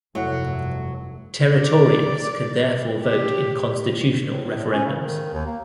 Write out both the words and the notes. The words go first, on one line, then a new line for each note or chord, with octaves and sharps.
Territorians could therefore vote in constitutional referendums.
F1 G2 F#3 A3 E4 F#5
D5
G4
A2
A2
C#4
C#3
D#3
D#2
A#3